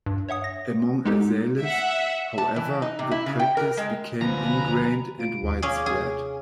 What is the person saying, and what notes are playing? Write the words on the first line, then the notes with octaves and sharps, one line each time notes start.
Among Azalis, however, the practice became ingrained and widespread.
G2
C#5 E5 F#5 D#6
A#6
G#3 B3 D#4 G4 A4
E5 F#5
A5
E3
D#4
C3
E4
C#3
G5
A#4
G#3
D2 F3 B4 G#5 A#5 B5
B2 F4 D7
D#2
C#4 G#4 F5 D6
C3 G#4